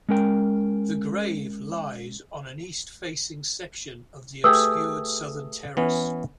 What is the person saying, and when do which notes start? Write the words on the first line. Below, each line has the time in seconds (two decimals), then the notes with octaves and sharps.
The grave lies on an east-facing section of the obscured southern terrace.
0.09 G#3 C#4 A#4 G5
4.44 A3 G4 G#4 B4 D#6 E6
5.77 E3 B3 C#4